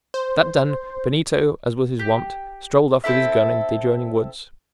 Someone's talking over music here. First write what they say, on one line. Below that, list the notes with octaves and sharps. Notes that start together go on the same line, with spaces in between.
That done, Benito, as was his wont, strolled off with his gun into the adjoining woods.
C5
G4
C4 E4 A4 E5